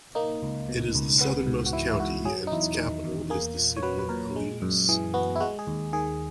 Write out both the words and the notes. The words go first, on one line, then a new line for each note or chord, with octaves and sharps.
It is the southernmost county, and its capital is the city of Alytus.
A#3 D#4
C#2
B2
C#2
B3
G#2
F#4
E3 E4
E4
G#2 F#4
F#3 G#4
D#4
E2 E4
D#3
E2
A#3 G#4
A#2
C#5
F#3 B4
B4
A#2 A#4
G#3
F#2
E3 G#4
B3 F#4
E4
G#3 F#4
G#4
D#2
D#3 G#4